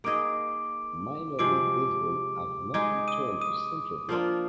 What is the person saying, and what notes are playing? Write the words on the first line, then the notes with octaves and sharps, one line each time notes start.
Minor league baseball has not returned to Centreville.
A#3 D#4 G#4 D#5 D6 D7
C3 F3 G#3 D6 D7
G#3 D#4 G#4 D6 D7
D#6 D#7
D#6 D#7
F3 A#3 D4 F4